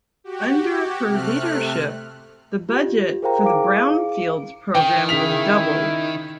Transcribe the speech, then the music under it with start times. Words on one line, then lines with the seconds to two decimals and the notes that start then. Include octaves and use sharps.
Under her leadership, the budget for the Brownfields program was doubled.
0.24 F#4 G4
1.05 C3 A3 F6 F#6
2.69 F4 G4
3.22 G#4 A#4 C5 F5 G5 A#5
3.43 E4 G#4 F5 D6 D7
4.75 D#3 G5
5.09 C#3 E4 B6 F7